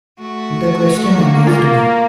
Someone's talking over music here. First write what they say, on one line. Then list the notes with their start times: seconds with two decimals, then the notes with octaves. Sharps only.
The question amazed me.
0.19 A3 F#4
1.04 A#3
1.47 F4